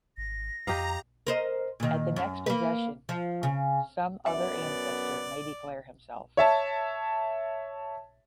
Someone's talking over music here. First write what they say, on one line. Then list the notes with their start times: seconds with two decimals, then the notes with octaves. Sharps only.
At the next possession, some other ancestor may declare himself.
0.18 G#1 A#6
0.67 F2 G4 D#5 F5 A#5
1.27 A#4 C5 D#5
1.80 A#2 D#3
2.16 F#2
2.46 A#3 B4
3.09 F3
3.43 C#3
4.26 F#2 B3 D5 E5
6.37 C#5 E5 A5